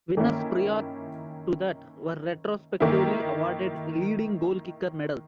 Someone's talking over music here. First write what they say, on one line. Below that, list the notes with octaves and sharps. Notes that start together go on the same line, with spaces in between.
Winners prior to that were retrospectively awarded Leading Goalkicker Medals.
D#3 A#3 C#4 E4
D#3 A#3 E4